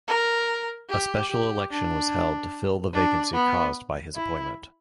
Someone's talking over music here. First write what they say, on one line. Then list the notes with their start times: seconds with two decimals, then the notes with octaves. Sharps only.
A special election was held to fill the vacancy caused by his appointment.
0.08 A#4
0.89 G4
1.30 G4
1.71 D4
2.93 D4
3.34 B3
4.15 E4